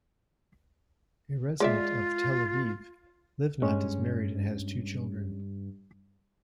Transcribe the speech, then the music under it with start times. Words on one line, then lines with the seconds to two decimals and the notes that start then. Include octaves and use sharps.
A resident of Tel Aviv, Livnat is married and has two children.
1.60 G#3 F4 D5 E5
3.62 G2 G#3 C#4